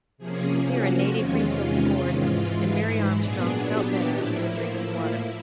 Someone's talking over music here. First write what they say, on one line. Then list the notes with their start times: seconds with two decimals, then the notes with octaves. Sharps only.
Here a native refilled the gourds, and Mary Armstrong felt better after a drink of water.
0.18 C3 F3 A#3 C#4 G#4
0.68 F#4
1.18 E2 C3 D#3 G#3 C#4 F4
2.18 G#2 E3 G#3 F4
2.68 E4
3.18 A#2 F#3 B3 D4 G#4
3.68 G4
4.18 A2 F3 A#3 E4